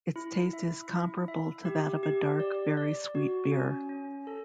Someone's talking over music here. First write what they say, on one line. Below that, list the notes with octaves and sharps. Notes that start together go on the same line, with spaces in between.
Its taste is comparable to that of a dark, very sweet beer.
E4
E5
E4
E5
G4
G4
D5
D5
F#4
C#4
C#4
A4